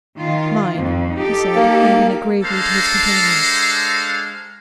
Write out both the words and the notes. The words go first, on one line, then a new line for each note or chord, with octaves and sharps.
'Mine,' he said, handing it gravely to his companion.
D#3 F4
F2
D#4 G4 A4
A#3
G#3 D4 A4 C5 F5 A#5